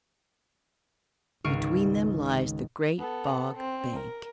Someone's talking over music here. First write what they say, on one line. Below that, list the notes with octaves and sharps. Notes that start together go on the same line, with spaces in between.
"Between them lies the Great Fog Bank."
G#1 C#2 F5 C#6 D7 D#7
B3 A4
C4
A#4